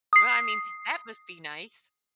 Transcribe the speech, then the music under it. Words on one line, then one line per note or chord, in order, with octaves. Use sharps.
Well, I mean, that must be nice.
D#6 C7